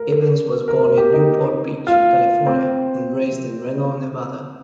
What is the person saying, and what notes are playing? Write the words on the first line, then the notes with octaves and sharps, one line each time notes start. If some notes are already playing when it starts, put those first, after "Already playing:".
Ivens was born in Newport Beach, California and raised in Reno, Nevada.
Already playing: A#4
A#4
A#4
G4
D#4
F4
C4